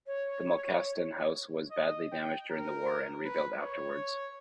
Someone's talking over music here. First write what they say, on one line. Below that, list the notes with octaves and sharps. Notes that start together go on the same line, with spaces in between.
The Malkasten house was badly damaged during the war and rebuilt afterwards.
C#5
D#5
G5
A#4
B4
C#5